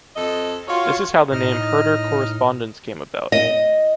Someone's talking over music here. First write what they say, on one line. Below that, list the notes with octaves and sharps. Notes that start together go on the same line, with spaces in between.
This is how the name "Herder Korrespondenz" came about.
F2 A4 D#5
F4 F#4 C#5
A2 D#4 D#5 F6
D#5